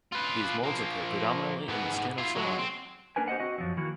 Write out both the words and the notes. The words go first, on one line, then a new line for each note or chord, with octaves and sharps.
These molds occur predominantly in the skin of salami.
F4 B4
F3 A#3
G#2 B3
E4 F4
F#3 G#3
C4
A#3 D4 A#4 B4 G#5
G4 C5 D#5 F#5
C4 F#4 D#5
F#2 F3 F#3
D#3 E3 A#3 F#4